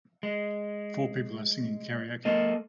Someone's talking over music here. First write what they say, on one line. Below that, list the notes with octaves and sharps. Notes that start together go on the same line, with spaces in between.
Four people are singing Karaoke.
G#3
G#3 A#3 A4 D#5